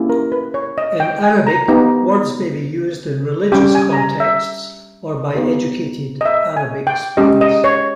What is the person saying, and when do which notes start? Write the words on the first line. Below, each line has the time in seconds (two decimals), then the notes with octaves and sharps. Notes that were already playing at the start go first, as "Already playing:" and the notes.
In Arabic words, may be used in religious contexts, or by educated Arabic speakers.
Already playing: A#3 C#4 E4 G4
0.09 A#4
0.32 B4
0.54 C#5
0.78 D#5
1.00 G5
1.23 G#5
1.47 A#5
1.68 B3 D#4 G4
3.52 G3 C#4 G4 G5
3.75 G#5
3.93 A#5
3.97 G#5
4.20 E5
5.35 B3 D#4 G4
6.21 D#5
6.26 E5
6.57 G#5
6.87 G5
7.17 G#3 C#4 G4 D#5
7.41 D#5
7.64 C#5